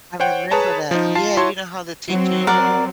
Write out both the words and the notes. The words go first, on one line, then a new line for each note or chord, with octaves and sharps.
I remember that. Yeah, you know how the teacher
C5 C#5 F#5 G5
G#4 B4 C#5 A5 A#5
F3 D#4
F4 A5 C7
E4 F#4 C#5 A5 C6
F#3 C4
A#4 D5 F#5